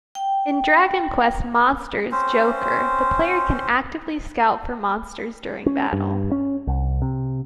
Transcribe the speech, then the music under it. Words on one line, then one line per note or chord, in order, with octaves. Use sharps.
In "Dragon Quest Monsters: Joker", the player can actively scout for monsters during battle.
G5
C4 C#4 C5
C#4
G2
C#4
C2
C3